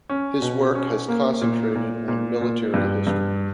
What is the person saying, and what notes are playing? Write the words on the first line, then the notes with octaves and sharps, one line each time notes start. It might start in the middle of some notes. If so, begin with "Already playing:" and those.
His work has concentrated on military history.
C#4
B2
C#4
A#3
A#2
A#2
A#2
A#2
G2
G2